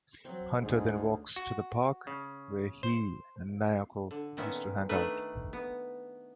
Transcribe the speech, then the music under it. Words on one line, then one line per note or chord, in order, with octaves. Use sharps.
Hunter then walks to the park where he and Nayako used to hang out.
F#3 C4
D2 G#2
F#4
C#3
C5
D3
A#2 D#3 B3 C#4 E5
D#3 A3 D4 B4
B3